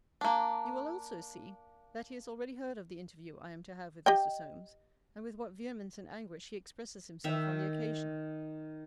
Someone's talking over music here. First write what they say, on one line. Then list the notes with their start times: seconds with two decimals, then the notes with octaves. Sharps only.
You will also see, 'that he has already heard of the interview I am to have with Mr. Solmes;' and with what vehemence and anguish he expresses himself on the occasion.
0.21 A#3 D4
4.06 G4 D#5 G5
7.24 D#3 A#4 E5 G5